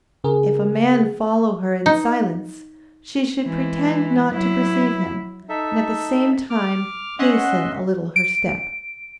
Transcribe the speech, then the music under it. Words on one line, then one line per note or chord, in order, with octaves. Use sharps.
If a man follow her in silence, she should pretend not to perceive him, and at the same time hasten a little her step.
C#3 G#4 A#4
D#4
E3 G#3
F#3 E4
D#4 A4 E5
D6 F6
C#4 D#5 E5 F#5 C6
D7